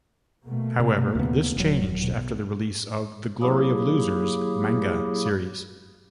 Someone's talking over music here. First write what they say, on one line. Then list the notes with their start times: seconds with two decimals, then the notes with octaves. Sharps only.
However, this changed after the release of the "Glory of Losers" manga series.
0.46 B2 A3 A#3
0.80 C3
1.15 D#2 C#3 B3
1.56 D#1 F#3
1.99 B1
3.42 F#3 A#3 E4 G4 G#4